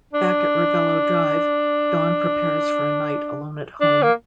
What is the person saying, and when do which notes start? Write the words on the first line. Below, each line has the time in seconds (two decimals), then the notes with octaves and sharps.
Back at Revello Drive, Dawn prepares for a night alone at home.
0.13 D4
3.81 D4
4.02 A#3